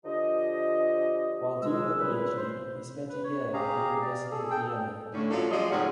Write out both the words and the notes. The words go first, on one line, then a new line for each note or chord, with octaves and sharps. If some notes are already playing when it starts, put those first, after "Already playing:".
While doing the Ph.D., he spent a year at the University of Vienna.
D3 F3 G4 D#5
C#2 G#3 E6
A#2 C#3 G3 E4 B4
C5
B4
C#5
G4 G#4 F5 A#5
D5
G#4 A4
A4 G5
A2 D3 C#4
F3 F#3 A4 C#5 D5
F3 G3 G#3 D5 D#5
G#2 C3 G#3 C#4 G#4 F#5